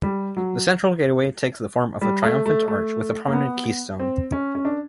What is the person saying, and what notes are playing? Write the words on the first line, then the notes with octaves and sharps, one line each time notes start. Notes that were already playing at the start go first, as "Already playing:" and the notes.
The central gateway takes the form of a triumphal arch with a prominent keystone.
G3
F#3
G3
A3
A3
A3
A#3
B3
C4
C#4
C#4
D4